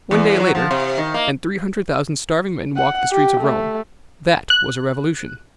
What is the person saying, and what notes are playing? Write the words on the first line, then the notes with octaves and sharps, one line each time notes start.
One day later, and three hundred thousand starving men walked the streets of Rome: that was a revolution.
E2
F#3
F3
C3
D#3
A#3
F#5
G4
A3
F#6